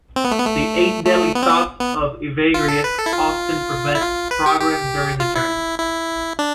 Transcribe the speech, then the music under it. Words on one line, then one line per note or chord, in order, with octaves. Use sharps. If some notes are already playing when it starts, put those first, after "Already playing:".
The Eight Deadly Thoughts of Evagrius often prevent progress during the journey.
C4
B3
A3
B3
A3
A3
B3
C4
B3
B3
F4
A4
B4
A4
E4
F4
E4
F4
B4
G4
G4
F4
E4
E4
D4